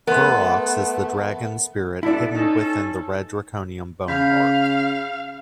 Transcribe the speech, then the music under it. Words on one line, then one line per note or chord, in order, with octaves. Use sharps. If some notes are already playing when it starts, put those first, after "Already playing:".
Furox is the dragon spirit hidden within the red draconium bonemark.
A3 B3 A#4 C6
B3 E4 A4 D5
C#4 D#4 A4
C#3 F5 B5 G6 B6